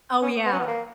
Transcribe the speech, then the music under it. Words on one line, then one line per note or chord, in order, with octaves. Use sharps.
Oh, yeah,
C#4
B3
C#4
B3
A#3